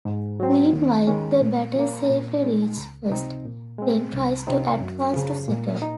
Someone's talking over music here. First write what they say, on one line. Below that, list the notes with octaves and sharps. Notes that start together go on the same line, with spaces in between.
Meanwhile, the batter safely reaches first, then tries to advance to second.
G#2
F#3 C4
D#2
D#3 G#3 C#4
A#2
F3 A#3
A#2
G#3 D#4
C#2
C3 F3 C4 D#4
A#2
G#3 C4
C2
C3 F3 C4 D#4
F#2
C#3 F3
A#2
D#4